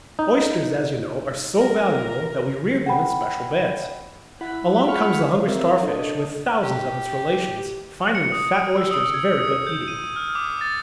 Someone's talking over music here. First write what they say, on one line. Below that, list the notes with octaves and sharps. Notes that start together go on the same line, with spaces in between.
Oysters, as you know, are so valuable that we rear them in special "beds." Along comes the hungry Starfish, with thousands of its relations, finding the fat oysters very good eating.
D#4
A#4
F#5 G5 B5
E4 F#5 B5
F4 G#4 F#5 B5 C#6 F6
C5 F5
C4 A#4 E5
D4 A4 D#5
G4
C#7
D#6
D7
E6
D#6
G#6
D#6
G6
D#7
F6
D6
A6